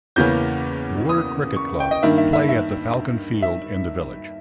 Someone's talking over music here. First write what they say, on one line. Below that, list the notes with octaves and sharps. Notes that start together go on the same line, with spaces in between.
Woore Cricket Club play at the Falcon Field in the village.
E2 C#3 E3 A#3 C#4 G6
D#6
C#6
G5
D#5
G2 D#3 A#3 E5
E5
E5
E5
E5